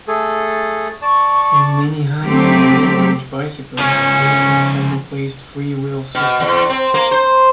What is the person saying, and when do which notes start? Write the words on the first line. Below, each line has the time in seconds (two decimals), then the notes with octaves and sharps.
In many high-end and midrange bicycles, freehubs have replaced freewheel systems.
0.08 A3 G#4 A4
1.02 D5 A5 C#6
2.24 F#3 A3 C4 G4
3.79 C#3 F3 C#4
6.15 B2
6.40 E2
6.69 C4
6.94 A#3
7.11 C5